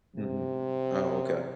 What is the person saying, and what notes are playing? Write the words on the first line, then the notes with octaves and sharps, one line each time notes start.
Mhm. Oh, okay.
C3